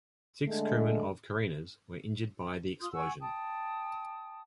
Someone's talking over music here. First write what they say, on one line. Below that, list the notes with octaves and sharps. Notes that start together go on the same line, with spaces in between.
Six crewmen of "Carina"s were injured by the explosion.
D3 G#3 A3
F4 C6 D#6
F#5 G#5 C#6 E6
G5 A5 D#6